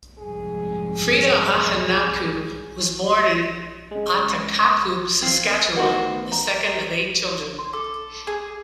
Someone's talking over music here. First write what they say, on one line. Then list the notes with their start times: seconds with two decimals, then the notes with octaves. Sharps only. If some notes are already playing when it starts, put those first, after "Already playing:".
Freda Ahenakew was born in Ahtahkakoop, Saskatchewan, the second of eight children.
0.18 C2 F2 G#2 G#4
3.91 C#3 G#3
5.22 C4 F5 C7
5.77 D#3 A3 B3 F#4 C5
6.32 A#5
7.59 C6
7.73 A4 D6
8.27 G#4